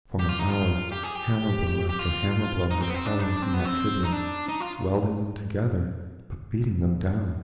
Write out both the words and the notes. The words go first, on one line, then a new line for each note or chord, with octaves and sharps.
For an hour hammer-blow after hammer-blow had fallen from that tribune, welding them together but beating them down.
G4
F4
D#4
F4
G4
G#4
G4
G4
F4
D#4
C4
B3
C4
D4
D#4
D4
C4
B3
C4
D#4
D4
D#4
F4